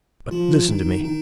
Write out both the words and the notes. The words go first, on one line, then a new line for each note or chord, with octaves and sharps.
But listen to me.
F3 F4
D#3 D#4
D#3 D#4